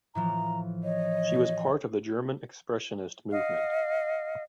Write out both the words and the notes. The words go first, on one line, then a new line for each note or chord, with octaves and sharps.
She was part of the German Expressionist movement.
A2 E3 F3 A#5
C#5 D#5
D#5 F5 F#5